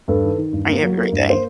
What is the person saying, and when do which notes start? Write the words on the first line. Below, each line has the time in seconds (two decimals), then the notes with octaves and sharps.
I Have a great day.
0.08 G2 A4 B4
0.23 D#3
0.38 D#3
0.53 G2
0.68 A#3
0.83 F#3
0.97 A#3 A#4
1.12 G2
1.28 A#3 C5